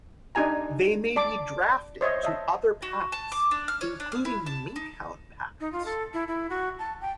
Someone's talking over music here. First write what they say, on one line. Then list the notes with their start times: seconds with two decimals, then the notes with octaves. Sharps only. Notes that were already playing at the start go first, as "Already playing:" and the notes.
They may be drafted to other packs, including minkhound packs.
0.35 D4 D#4 G4 G#5 A#5
1.16 D5 A5 D6
2.01 C5 C#5 D#5 E5
2.23 D#5 E5 A5
2.82 F#4
3.12 A5
3.32 D6
3.51 D4
3.68 F6
3.81 C#5
4.00 D4
4.12 F6
4.25 E4
4.46 A5
4.76 D#4
5.60 D#4
5.72 F4
5.85 A4
6.14 E4
6.28 E4
6.50 F#4
6.79 A5
7.01 G5